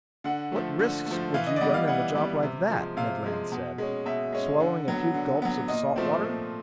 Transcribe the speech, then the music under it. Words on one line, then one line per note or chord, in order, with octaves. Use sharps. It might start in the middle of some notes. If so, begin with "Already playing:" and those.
"What risks would you run in a job like that?" Ned Land said. "Swallowing a few gulps of salt water?"
D3 F#5
F3 A3
D3
A3
F3
E3 F5
D#5
D5
G3 B3 D#5
F5
E3 F#5
G3 B3
C3
F3 G#3
C3 F5
F3 G#3
B2
G#3 C#4
B2 E5
G#3 C#4
D3
F#3 B3
D3
F#3 B3
A#2 D#5
F3 A3 C4
A#2